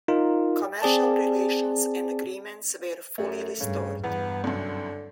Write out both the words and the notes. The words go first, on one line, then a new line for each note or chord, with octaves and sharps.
Commercial relations and agreements were fully restored.
D#4 F4 A#4
C4 G#4 D5 A5
F#2 A3
G2 C#3
E2 G2 B3
C2 F#2 D3